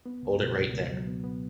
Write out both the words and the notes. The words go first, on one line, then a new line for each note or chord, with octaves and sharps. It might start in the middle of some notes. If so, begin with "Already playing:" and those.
Hold it right there!
B3
C#2
B2
C#2
C#2
F#3
B3
B3